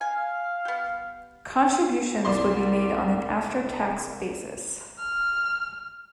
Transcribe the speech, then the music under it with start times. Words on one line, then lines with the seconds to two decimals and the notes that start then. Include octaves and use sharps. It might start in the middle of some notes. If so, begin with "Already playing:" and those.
Contributions would be made on an after-tax basis.
0.01 F5 G#5
0.65 B3 G4
2.25 C2 D5 C6
4.99 F6